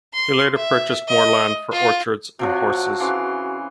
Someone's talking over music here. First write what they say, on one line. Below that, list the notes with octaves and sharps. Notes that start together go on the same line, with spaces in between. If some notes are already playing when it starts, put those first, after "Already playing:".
He later purchased more land for orchards and horses.
C6
E5
D#5
F4
C3 F3 F#3 F#4
C#3 E3 C6